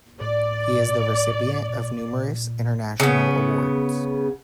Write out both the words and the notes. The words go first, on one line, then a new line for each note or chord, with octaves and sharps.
He is the recipient of numerous international awards.
A2 D5
A#2
C#3 B3